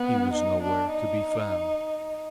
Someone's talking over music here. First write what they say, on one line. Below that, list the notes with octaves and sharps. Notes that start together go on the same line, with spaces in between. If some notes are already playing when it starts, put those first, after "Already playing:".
He was nowhere to be found.
Already playing: B3
D#4
D4
D#4